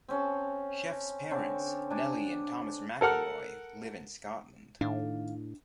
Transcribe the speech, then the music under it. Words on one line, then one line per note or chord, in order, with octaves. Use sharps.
Chef's parents, Nellie and Thomas McElroy, live in Scotland.
C4 C#4 A5
D3 C4 C#4
D4 G#5
A4 A#4 F#5 F6
A2 D#3 D4 D#4 F5